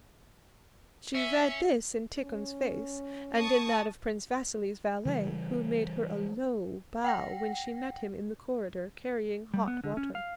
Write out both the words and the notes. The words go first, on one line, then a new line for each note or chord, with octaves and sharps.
She read this in Tikhon's face and in that of Prince Vasili's valet, who made her a low bow when she met him in the corridor carrying hot water.
C#4 E5
C#4
A5 C#6 D#6
C#3 E3 G3
F#5 G5 A#6
G3
B3
D3
C#4
F5